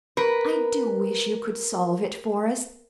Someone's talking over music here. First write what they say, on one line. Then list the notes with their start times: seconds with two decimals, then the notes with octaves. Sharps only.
I do wish you could solve it for us.
0.17 A#4 B4